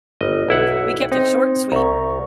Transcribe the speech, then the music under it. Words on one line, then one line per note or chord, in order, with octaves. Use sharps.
"H we kept it short and sweet,"
G1 D#5
B1 E4 F#5
C4 D#4 C5
C2 A#5 C#6